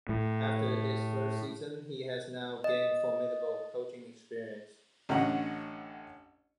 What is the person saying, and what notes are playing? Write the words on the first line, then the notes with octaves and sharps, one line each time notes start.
After his first season he has now gained formidable coaching experience.
A2
D#5
A1 D3 C#4 D#5 F#5